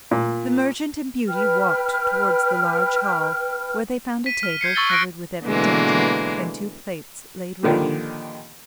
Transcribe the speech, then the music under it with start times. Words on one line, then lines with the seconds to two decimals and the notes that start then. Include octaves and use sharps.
The merchant and Beauty walked towards the large hall, where they found a table covered with every dainty, and two plates laid ready.
0.11 A#2
1.28 B4 G5 F6
4.26 B6 D#7
4.43 F6
4.61 G6 G#6 C7 C#7
4.75 C#6 E6 A6 G7
4.90 F#6 A#6 D7
5.45 B2 D3 E3 G#3 A#3
7.63 A#2 D3 D#3 F3 G3